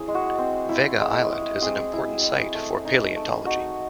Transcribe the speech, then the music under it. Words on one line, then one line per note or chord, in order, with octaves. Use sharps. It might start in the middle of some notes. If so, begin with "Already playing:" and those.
Vega Island is an important site for paleontology.
Already playing: C4 E4 G#4 C#5
G#3
F#4
C4
E4
G#3
G#3
C4 G#4
E4
G#3
A3
D#4
A3
D#4 F#4